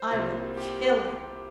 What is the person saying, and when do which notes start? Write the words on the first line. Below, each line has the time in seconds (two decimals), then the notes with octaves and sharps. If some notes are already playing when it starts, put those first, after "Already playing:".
I will kill him!'
Already playing: C5
0.11 C2 C3 A#3 F4
0.57 G4